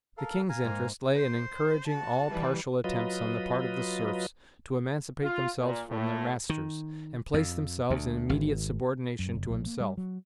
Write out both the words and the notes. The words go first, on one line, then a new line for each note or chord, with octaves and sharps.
The king's interest lay in encouraging all partial attempts on the part of the serfs to emancipate themselves from their masters, and place themselves in immediate subordination to himself.
A4 A#4 F5
F5 G#5 A#5
G#2 A#3
C5
F#4 A5
E3 G3 B4
F#3 F4 B4 D#5
F4
A#2
A2
D#3
F2
D2
G#1
F#2
F#1
A#1
A#3
G3
F#3